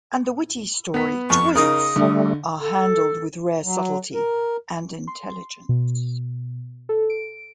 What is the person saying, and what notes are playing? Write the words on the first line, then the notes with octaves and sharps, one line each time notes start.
And the witty story twists are handled with rare subtlety and intelligence.
B3 B6
F2 C#6
C#3 D#4 A#4 D#6
D3 G3 A3
A4
F#3
A#4
C6
B2
A4
D7